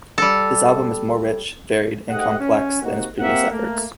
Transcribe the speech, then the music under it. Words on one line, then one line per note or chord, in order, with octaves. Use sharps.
This album is more rich, varied, and complex than his previous efforts.
G3 A4
G#2 A3 G4 D#5 F#5
C#4
C3 A#3 D#4 F#4
A#3 C4 G4 A#4 E5 F#5
A3 A#3